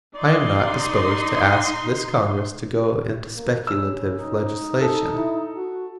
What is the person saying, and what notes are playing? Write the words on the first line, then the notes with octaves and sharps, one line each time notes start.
I am not disposed to ask this Congress to go into speculative legislation.
D#4 D5 C6
A#3
C#3 E6
D#4
A4
E4
F#4